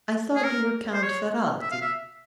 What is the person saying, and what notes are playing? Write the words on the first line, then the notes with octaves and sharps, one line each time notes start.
"I thought you were Count Ferralti."
G#4
A#4
C5
C#5
E5
F5
E5